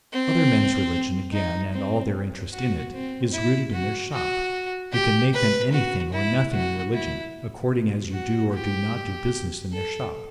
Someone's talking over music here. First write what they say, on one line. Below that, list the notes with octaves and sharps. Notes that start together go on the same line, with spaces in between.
Other men's religion, again, and all their interest in it, is rooted in their shop; you can make them anything or nothing in religion, according as you do or do not do business in their shop.
C4
D#4
C4
F#4
C4
E4
F#4
F#4
G4
B4
F#4
E4
F#4
E4
F#4
G4
A4